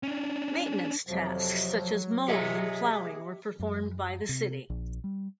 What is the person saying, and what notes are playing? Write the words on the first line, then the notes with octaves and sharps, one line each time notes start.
Maintenance tasks such as mowing and plowing were performed by the city.
C#4 D4
F2 C3 F3 F#3
G4 G#4 D#5 E5
F#2
C3
A#1
G3